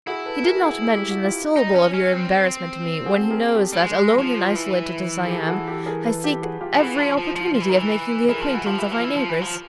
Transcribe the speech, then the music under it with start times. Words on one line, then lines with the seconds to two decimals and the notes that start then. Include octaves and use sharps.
He did not mention a syllable of your embarrassment to me, when he knows that, alone and isolated as I am, I seek every opportunity of making the acquaintance of my neighbors.
0.07 E4 F#4 G#4
0.25 A4 B4
0.44 G#4 A#4
0.63 F#4 G#4
0.82 G#4
0.95 G4
1.10 F#4
1.24 F4 G4
1.56 D#4
1.75 C#4
1.94 C#4
2.13 C4
3.06 F#4 G#4
3.21 A4
3.31 G#4 A#4
3.55 G4 A4
3.73 G3
3.81 G#3
4.18 F3
4.55 E3
5.25 G#4
5.30 G4 A4
5.42 A4
5.48 F#4 G#4
5.67 G4 A4
5.86 G#4 A#4
6.04 A4 B4
6.24 G4 A4
6.42 F#4 G#4
6.61 F4 G4
6.74 F3
6.79 E3 F#4 G#4
6.98 F3
7.17 F3
7.36 F3
7.54 F3
7.62 E3
7.69 D#3
7.77 E3
8.29 E3 G#4 A#4
8.41 F3
8.54 E3 F#4
8.66 F3 F4 G4
8.79 E3
8.92 F3
9.04 E3
9.16 F3
9.29 E3
9.42 F3